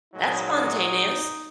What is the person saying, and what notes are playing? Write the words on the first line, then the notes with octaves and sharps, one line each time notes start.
that's spontaneous.
A#2 F#3 G#3 D#4